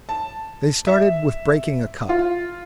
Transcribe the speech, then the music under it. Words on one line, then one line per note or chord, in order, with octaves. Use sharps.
They started with breaking a cup.
A5
E5
F4